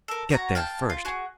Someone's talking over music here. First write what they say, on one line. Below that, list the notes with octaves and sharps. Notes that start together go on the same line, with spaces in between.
Get there first!
A4 A#4
F#4 C#5 G#5 A#5
F5 G5 A5
F4
F#4 G#4